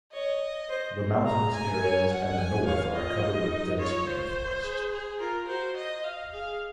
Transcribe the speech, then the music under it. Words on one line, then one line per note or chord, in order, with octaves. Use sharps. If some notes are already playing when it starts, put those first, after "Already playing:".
The mountainous areas and the north are covered with dense rainforest.
C#5 D#5
C5
G#4 A#5
G#5
C#5
F#5
G#5
C#5 F5
F4 D#5
D#4
D#4
F4 C#5
F4 C5
G#4
G#4
F4 A#4
F#4 C5
D#5
F5
G#4 F5